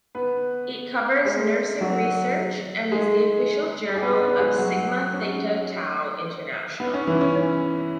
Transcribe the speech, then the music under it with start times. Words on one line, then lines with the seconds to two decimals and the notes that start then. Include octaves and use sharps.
It covers nursing research and is the official journal of Sigma Theta Tau International.
0.15 B3 B4
1.25 G#3 G#4
1.81 F#3 F#4
2.92 G#3 G#4
3.96 G#4
4.02 B3 B4
4.21 B3 B4
4.39 G#3 G#4
4.58 F#3 F#4
5.13 C#4
6.80 B3
6.94 C#4
7.07 E3 E4
7.21 C#4
7.35 C#4